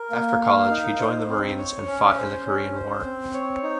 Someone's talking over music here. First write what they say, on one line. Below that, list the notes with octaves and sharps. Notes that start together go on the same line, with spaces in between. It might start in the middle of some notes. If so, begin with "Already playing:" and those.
After college he joined the Marines and fought in the Korean War.
Already playing: A#4
A#3
F5
D#4
C5
C4
C#5
C#4
C5
C#4
C5
C4
C#5
D#4